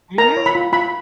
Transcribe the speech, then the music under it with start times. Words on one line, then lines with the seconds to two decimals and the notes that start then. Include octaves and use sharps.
I know.
0.18 A#4 A#5
0.37 C#5
0.46 B5
0.55 F4
0.73 F4 B5